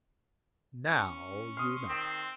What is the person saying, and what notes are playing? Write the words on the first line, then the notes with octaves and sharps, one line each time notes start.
Now you know.'
C#4
C6 D#6 F6
D#3 C4